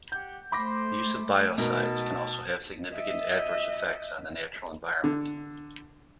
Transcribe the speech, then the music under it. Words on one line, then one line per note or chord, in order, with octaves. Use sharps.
The use of biocides can also have significant adverse effects on the natural environment.
G4 F#5 G6
A3 C5 B5 D6 A#6
B2 D#4 A#4 B4 F#5 A5
D#5 E5
D3